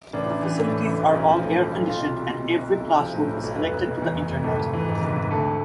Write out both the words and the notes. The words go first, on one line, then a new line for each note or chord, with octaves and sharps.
The facilities are all air-conditioned and every classroom is connected to the Internet.
A1 D4
A1
E3
A2
A1
A1
B1
B1
F3
A2
B1
B1
B2 F4
C2
C2
B2
B2
C2
B1 E4
B1
F3
A2
B1
B1
F1 B4
F1
B2
E2
F1
F1
G#1 A4
G#1
E3
G#2
G#1
G#1
D2 A4